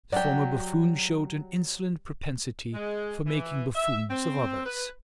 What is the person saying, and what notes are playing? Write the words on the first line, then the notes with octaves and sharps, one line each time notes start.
The former buffoon showed an insolent propensity for making buffoons of others.
F#3 G4 D5
G#3
E3
E5
C4
B4